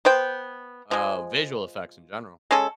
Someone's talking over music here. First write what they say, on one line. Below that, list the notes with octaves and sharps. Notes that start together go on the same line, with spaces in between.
um, visual effects in general.
B3 C5 G5
F3 G#3
G#3 C#4 A4